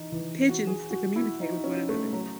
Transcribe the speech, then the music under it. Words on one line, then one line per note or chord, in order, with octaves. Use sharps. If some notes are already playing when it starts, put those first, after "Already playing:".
pigeons to communicate with one another.
Already playing: E3 D#4
E3
F#4
G#4
F#4
E4
D#4
C#4
A3
F#3